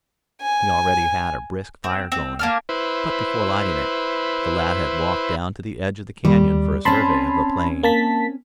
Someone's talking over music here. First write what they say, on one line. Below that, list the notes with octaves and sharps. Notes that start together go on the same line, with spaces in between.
He already had a brisk fire going, but before lighting it, the lad had walked down to the edge of the canyon for a survey of the plain.
G#5
C4
C4
A#3 D4 F6
E4 B4 C5
D#2 G3
C4 C#4 A5 B5 C6
A#3 A5 B6